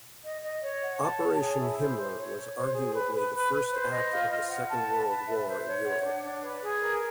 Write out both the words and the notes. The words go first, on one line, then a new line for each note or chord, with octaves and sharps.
Operation Himmler was arguably the first act of the Second World War in Europe.
D#5
D#5
C#5
F#5
A5
C#5
G#4
E4
C5
C5
C#5
C#5
C5
G#4
B4
B4
B4
B4
C5
D#5
F4
F4
F#5
A5
B4
B4
E5
C5
C#5
F#5
D4
D4
B4
G#4
A#4